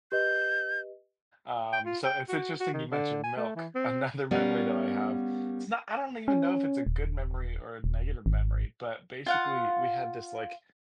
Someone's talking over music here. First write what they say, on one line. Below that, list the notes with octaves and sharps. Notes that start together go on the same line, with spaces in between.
Um, so it's interesting you mentioned milk, another memory that I have it's not I don't even know if it's a good memory or a negative memory, but basically we had this, like,
G4 B4 D#5 G6
G5
F4
G5
F#4
F#4
D#3
D3
G#5
A3
E3
C4
G3 B3 C#4 A#4 F5
C#4
D#1
D#1
G#1
F4 F5 F#5